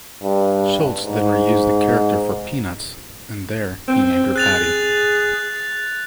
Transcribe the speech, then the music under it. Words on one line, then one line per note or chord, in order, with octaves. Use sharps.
Schulz then reused the character for "Peanuts," and there, he named her Patty.
G2
G#2
C4
G#4 F#6 A6 F7